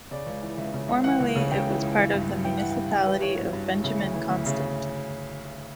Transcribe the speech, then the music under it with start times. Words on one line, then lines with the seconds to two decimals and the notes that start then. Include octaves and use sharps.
Formerly, it was part of the Municipality of Benjamin Constant.
0.11 C#3 D5
0.26 C#2
0.42 E3
0.58 C#2 E5
0.74 C#3
0.88 C#2
1.04 E3 F#5
1.20 C#2
1.36 C#3
1.51 C#2 G5
1.67 E3
1.82 C#2
1.98 E3
2.14 G2
2.29 G2
2.45 E3 G5
2.57 E3 F#5
2.70 G5
2.76 G2
2.91 G2 G5
3.06 E3 B4
3.22 E3 C#5
3.37 G2 F#4
3.53 G2
3.69 E3
3.84 C#3 E4
3.99 D2
4.15 E3
4.30 D2
4.46 C#3